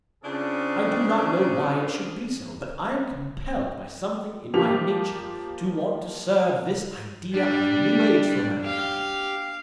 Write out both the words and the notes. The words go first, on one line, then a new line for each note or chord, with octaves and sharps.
I do not know why it should be so, but I am compelled by something in my nature to want to serve this idea of a new age for mankind.
C#3 C4 D4 F4 G#4 A4
F3 A#3 G4 F7
G3 D4
G4 F5